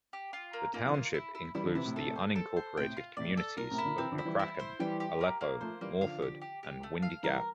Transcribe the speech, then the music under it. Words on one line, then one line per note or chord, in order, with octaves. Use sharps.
The township includes the unincorporated communities of McCracken, Aleppo, Morford, and Windy Gap.
G4
F4
A#3
A#2 A#3
F3
C3 E3
F4
E4
E4
E3 G3 E4
D3 F3
C3 E3 E4
A2 C3
A4
C5
A4
C5
A2 C3 G5
F4
A2 C3 D5
A4
A#2 A#4
A2 C3
E4
A#2 D3
C3 E3 C4
D3 F3
E4
E3 G3
E4
C5
E3 G3 G4
G4
A#3
A#3
F3 A3 C5
E3 G3 A#3
D3 F3 F5
G4
G4
G4
A3
F5
E3 G3 A#4